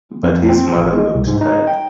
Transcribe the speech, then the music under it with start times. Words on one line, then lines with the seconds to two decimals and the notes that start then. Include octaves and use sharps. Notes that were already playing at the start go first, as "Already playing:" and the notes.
But his mother looked tired.
0.23 F2
0.49 C4
0.75 A1
0.93 G#3
1.15 C2
1.27 G#2
1.41 D#4
1.67 G5